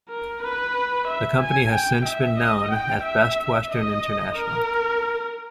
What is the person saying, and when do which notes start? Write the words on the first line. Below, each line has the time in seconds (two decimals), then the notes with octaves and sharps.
The company has since been known as Best Western International.
0.09 A#4
0.43 B4
1.08 E5
1.41 G#5
1.73 G5
2.06 E5
2.38 D#5
2.72 G5
3.04 E5
3.70 D#5
4.36 A#4